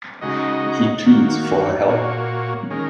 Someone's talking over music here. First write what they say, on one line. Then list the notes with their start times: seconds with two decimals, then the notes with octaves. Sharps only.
He pleads for her help.
0.21 C#3 G#3 D#4 F#4 D#5
1.05 D#3 A#3 F#4
1.87 A#2 A#3 F#4 C#5
2.71 D#3 G#3 C#4 A#4